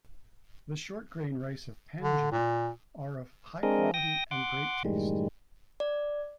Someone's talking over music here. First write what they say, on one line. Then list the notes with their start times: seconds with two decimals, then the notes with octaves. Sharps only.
The short grain rice of Panjin are of high quality and great taste.
2.01 D3
2.32 A#2
3.63 G#3 C4 D4 G#4 A#4 D#5
3.94 G5 D#6 A#6
4.31 F#5 C6 D6
4.85 F#2 A2 D#3 G3 G#3
5.80 D5